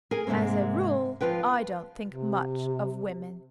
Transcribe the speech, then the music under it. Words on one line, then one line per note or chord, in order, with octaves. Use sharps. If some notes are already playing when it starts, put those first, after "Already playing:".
As a rule I don't think much of women.
G#4 A#4 G#5
G#2 C3 G#3 A#3 C4
F3 F4 B4 G5
C3